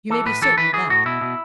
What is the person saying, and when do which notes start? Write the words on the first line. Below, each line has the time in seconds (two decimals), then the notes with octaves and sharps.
You may be certain of that.
0.10 E3 A4
0.26 A2 B4
0.42 E3 A4
0.58 E3 B4
0.73 E3 G#4
0.90 A2 F#4
1.06 B2 E4
1.21 B2